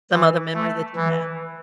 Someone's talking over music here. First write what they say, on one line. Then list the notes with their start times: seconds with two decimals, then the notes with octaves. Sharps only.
some other memory that you have?
0.12 E3
0.54 A3
0.96 E3